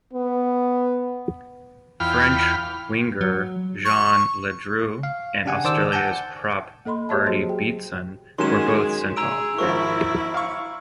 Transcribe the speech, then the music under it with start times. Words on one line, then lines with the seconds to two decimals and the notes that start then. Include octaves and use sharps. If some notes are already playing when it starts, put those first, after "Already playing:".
French winger Jean Ledru and Australia's prop Artie Beetson were both sent off.
0.13 B3
2.00 E2 F4 G5 B5 F6
3.21 F#3
3.85 C#6
5.03 F5
5.45 C#3 D4 G4 F#5 G#5
5.64 D#3 C5 D5 A5 D6 E6
5.92 F#5 G#5 A5 G6
6.85 A#3 A4 D#5 B5 C6
7.09 G4 G#4 C#5 D#5 E5 A5
7.26 F#3 F#4 G#4 C5 C6
7.49 G5
8.38 D#3 F#3 G#3 C#4 G#4 C6 E7
9.16 G#4 A#5 E6 D7
9.58 G#1 F3 E4 A#4 C#6
10.34 F5 C#6